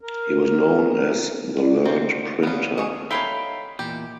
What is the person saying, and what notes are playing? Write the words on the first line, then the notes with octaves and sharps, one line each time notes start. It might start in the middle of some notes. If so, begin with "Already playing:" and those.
He was known as the learned printer.
A#4
D5
D2 D#3 C4
B3 C#4 D4 F4
G#4 D#5 C#6
D#4 A4 C#5 E5 F5 G5 B5 C6
E2 A#2 G4